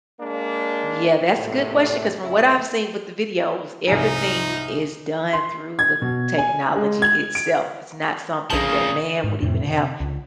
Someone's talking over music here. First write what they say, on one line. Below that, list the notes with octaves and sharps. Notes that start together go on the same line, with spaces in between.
Yeah, that's a good question 'cause from what I've seen with the videos, everything is done through the technology itself. It's not something that man would even have,
G#3 A#3 D4
G#1 A2 C3
G#1 C#3 E4
C2 F2 G#2 D#4
C6
G#6
B2
G#5
G#3
G#6
D7
A#1 C#3 F3 A#3 A5 D#6
G#2
F2 A2 C3
C3
C#2